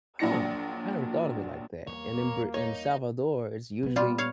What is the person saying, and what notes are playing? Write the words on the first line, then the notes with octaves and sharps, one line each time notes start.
Huh, I never thought of it like that, and in Br in Salvador, it's usually
A#1 A#2 F#3 D4 A#6 C#7
E2 G3 A#3 C#5
D#4 C#5
B1 B3
A#2 G3 B3 F4
C#5 F5